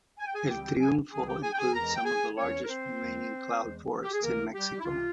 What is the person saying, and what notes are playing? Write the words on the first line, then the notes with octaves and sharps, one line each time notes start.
El Triunfo includes some of the largest remaining cloud forests in Mexico.
G#5
G5
G#4 G#5
C#2 C#3 E3 G3 C4 G4 G5
G4 G5
G#4 G#5
C#2 C#3 E3 G3 C4 G#4 G#5
G4 G5
G#4 G#5
G5
G#4 G#5
E2 E3 G#3 A#4 A#5
G5
G#4 G#5
E2 E3 G#3 C#4 C#5
A#4
C4 C5
E2 E3 G#3
E2 E3 G#3
G4
G#4
C#2 C3 E3 A#3 A#4
G3 G4
E4
C#2 C3 E3 F4